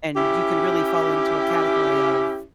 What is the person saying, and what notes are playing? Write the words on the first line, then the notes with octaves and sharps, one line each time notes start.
And you can really fall into a category of,
C#4 E4 G4